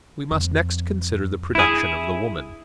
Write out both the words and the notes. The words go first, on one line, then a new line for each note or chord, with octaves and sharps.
We must next consider the production of the woman.
F2
D4 E4 G#4